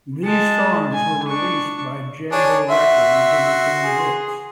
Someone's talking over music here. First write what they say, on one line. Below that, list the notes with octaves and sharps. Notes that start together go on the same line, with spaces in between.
These songs were released by Jambo Records and became hits.
G#3 A5
G#5
D4 C#6
D4 G#4 C#5
F#4 E5 C6
G#4